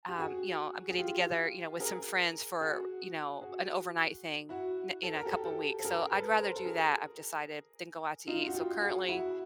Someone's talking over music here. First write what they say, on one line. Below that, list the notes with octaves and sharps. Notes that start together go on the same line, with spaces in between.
um you know, I'm getting together, you know, with some friends for, you know, an overnight thing in in a couple weeks, so I'd rather do that, I've decided, than go out to eat, so currently,
G4
F#4 G#4
G#4
F4 G4
G#4 A#4
F#4 G#4
F#4 G#4
E4 F#4
A4
A#4
G4 A4
G4 A4
A4
G#4 A#4
A4 B4
A#4 C5
A4
G#4 A#4
D#4 F4
F#4
F4 G4
F#4 G#4
E4 F#4